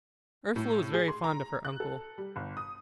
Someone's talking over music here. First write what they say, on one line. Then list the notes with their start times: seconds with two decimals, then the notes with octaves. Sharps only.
Ursula was very fond of her uncle.
0.56 A2
0.94 G#4
1.08 C6
1.24 A#5
1.65 F#6
1.80 A4
2.18 G3
2.36 G1
2.57 D#6